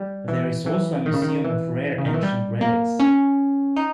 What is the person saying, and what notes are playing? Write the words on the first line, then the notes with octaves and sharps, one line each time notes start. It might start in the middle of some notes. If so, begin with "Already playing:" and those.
There is also a museum of rare ancient relics.
Already playing: G3
E3
E3
D#3
C#3
D#3
E3
C#3
D#3
E3
G3
A#3
C#4
D#4